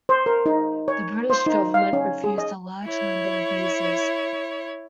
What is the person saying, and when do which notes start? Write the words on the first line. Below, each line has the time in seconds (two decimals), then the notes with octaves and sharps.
The British government refused a large number of visas.
0.09 C5
0.26 A#4
0.46 D#4
0.88 C#5
1.30 C5
1.46 D#4
1.74 F5
1.93 C#4
2.24 G#4
2.38 D#5
2.85 E4 C#5